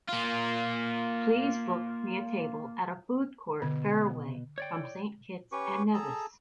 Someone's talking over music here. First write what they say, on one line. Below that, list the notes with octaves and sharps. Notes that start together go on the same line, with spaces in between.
Please book me a table at a food court faraway from Saint Kitts and Nevis.
A#3 F4
B2 D3
C#5 D5 G5
C#4 G4 B4 C#6
G#4 A4 A5 A#5